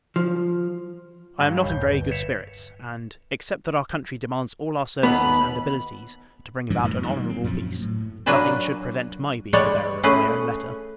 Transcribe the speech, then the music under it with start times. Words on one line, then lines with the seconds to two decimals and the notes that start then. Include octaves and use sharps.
I am not in very good spirits; and, except that our country demands all our services and abilities, to bring about an honourable peace, nothing should prevent my being the bearer of my own letter.
0.16 F3
1.40 G2 F#3 F5
1.56 D#2 C#5
1.69 D#1 G6
1.86 G1 B4
2.11 C#5 E5
5.03 D#2 B3 B5
6.70 G2 E3 F#3
6.84 F#2 A2 G#3
7.06 D#3 F#3 G3 A#3
7.28 F#3 C4
7.44 F#2 A#2 F3 F#3
7.81 A2
8.26 F#3 A#3 D4 B4 G#5 A5
9.53 G3 G#3 C#5 D5 F#5
10.03 A3 C#4 G#4 B4